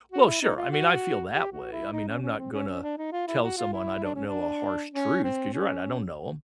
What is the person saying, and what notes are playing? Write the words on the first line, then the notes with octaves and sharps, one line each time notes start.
Well, sure, I mean, I feel that way, I mean, I'm not gonna tell someone I don't know a harsh truth, 'cause you're right, I don't know
F#4
E4
D#4
F4
F#4
G4
F#4
E4
D#4
C#4
C#4
C4
C#4
C#4
D4
D#4
F4
E4
F#4
F4
E4
D4
C#4
D4
C#4
C4
C#4